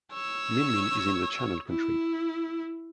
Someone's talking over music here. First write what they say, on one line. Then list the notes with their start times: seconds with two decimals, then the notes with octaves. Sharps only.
Min Min is in the Channel Country.
0.13 C#5 E6
1.69 E4